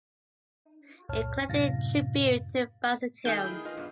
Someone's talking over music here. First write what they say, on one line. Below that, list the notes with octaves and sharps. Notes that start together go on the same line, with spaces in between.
He collected tribute to Byzantium.
C#2 F#2 A#2 C#5 A5 F6
F#2 A2 C3 F5 A6 A#6
D#3 A3 G#4 F5 G#5 G6
E4
F4 B4 D#5
G2 B3